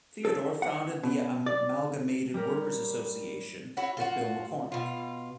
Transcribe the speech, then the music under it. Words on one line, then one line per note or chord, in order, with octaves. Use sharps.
Theodore founded the Amalgamated Workers' Association with Bill McCormack.
A4
F#5
B2
D5
G3 G4 A#4 C#5
E4 F#4 C#5
F4 F#4
B2 F4